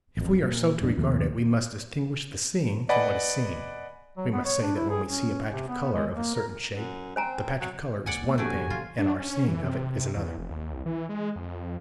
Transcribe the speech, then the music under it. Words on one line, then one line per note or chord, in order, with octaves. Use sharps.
If we are so to regard it, we must distinguish the seeing from what is seen: we must say that, when we see a patch of colour of a certain shape, the patch of colour is one thing and our seeing of it is another.
A1 F2
A#2
F1 G#2 D4
D#2 B2 F3 A3
B4 D5 D#5 F#5 G#5 B5
F#3
B3
C#5
D4
E4
G#4
C#4
C3
B3
G#3
A#3
A#4
F#2
C4 C5 G#5 A#5
F#3
D#2 A2 C#3 D5 F#5 G#5
E3 G#3 A#3
F3 A3 D4 D#4 F#4 G4 G#5
E2 G#2 C#3 G4
E3 F4
D4
C#4
E3
C3
E2
F1
D#2
C2
E3
G#3
F2